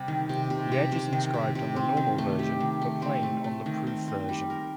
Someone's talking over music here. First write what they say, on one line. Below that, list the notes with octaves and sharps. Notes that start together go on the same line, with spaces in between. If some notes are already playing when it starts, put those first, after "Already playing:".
The edge is inscribed on the normal version, but plain on the proof version.
Already playing: C3 G3
D#3
C3
C3
C3
C3
D#3
C3
C3
C4
D#3
A3
G4
D#3
A3
C4
A3
A3
D#3
C4
C4
G3
A#4